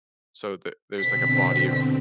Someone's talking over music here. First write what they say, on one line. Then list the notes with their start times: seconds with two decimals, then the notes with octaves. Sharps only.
so the there's, like, a body of
0.99 B2 D3 C4 B6